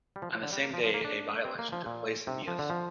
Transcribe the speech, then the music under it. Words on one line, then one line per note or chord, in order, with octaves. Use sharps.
On the same day, a by-election took place in Meath.
G3
F3
F3
D3
G3
A#3
F3
F3
A#3
D4
C4
A#3
F3
A#2
C3
F3
D3
F3